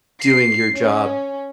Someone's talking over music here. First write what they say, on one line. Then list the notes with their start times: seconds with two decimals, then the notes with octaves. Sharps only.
doing your job,
0.21 C7
0.76 C#4